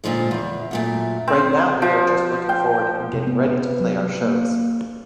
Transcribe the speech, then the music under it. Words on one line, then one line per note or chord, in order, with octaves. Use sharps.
Right now we are just looking forward and getting ready to play our shows.
A#2 D3 F3 G#3
E2
F#2 A#2 A3
C4
F3
G5
C3
B3
B4
F#3
A#3